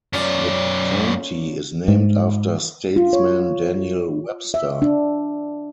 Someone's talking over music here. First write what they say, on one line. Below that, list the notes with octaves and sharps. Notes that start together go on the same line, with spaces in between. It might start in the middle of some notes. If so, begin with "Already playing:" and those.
The county is named after statesman Daniel Webster.
F#2 A#2 C#4 D5
G#2
F4
C#5
E5
D4